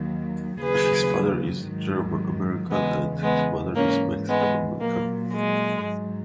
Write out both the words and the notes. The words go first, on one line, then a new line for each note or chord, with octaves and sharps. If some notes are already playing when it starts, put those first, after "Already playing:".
His father is German American and his mother is Mexican American.
Already playing: D#2 D#3 F#3
D#2 C#3 F#3 G#4 B4
G#2 D#3 F#3
E2 C#3 E3 G#3 B3
G#3 B3
G#2 E3 A#3 C#4
G#3 B3
A#2 F#3 A#3
G#3
G#2 F#3